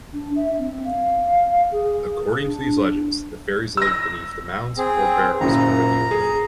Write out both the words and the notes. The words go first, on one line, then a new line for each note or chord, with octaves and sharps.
According to these legends, the fairies live beneath mounds or barrows under the earth.
D4
E5
C4
F5
G#4
D4
E6 A#6
C4 G#4
F#1 F#2 A#2 A#5
G#4